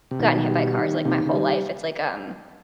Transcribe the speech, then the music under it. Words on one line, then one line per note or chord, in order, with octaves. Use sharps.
gotten hit by, uh, cars, like, my whole life. It’s like, um
C3
B2 D#3
G3
D#3
D#2 C3
C#3
G3